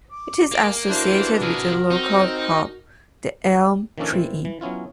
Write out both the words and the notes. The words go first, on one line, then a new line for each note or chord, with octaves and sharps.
It is associated with the local pub, The Elm Tree Inn.
D6
A#3
E3 D4 F#4 C5
C3 G#4 A#4
C4 D#4
D#3 F3 A#3 C#4 D4 A4
A#2 E3 C4
E3
F#3 B3 C#4 E4 F4